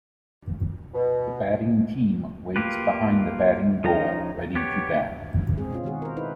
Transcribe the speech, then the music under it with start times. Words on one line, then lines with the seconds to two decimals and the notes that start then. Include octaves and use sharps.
The batting team waits behind the batting goal ready to bat.
0.94 B2
2.56 A#3 F4 G4 B4
3.84 F3 C#4 D#4 A#5
4.55 B3 G4 C#5
5.58 G#3 C4 G#4
5.71 B2 C#4 F4
5.84 D#3 G#3 F#4 G#4
6.02 A#4 C5
6.17 D#4 E4 B4 C5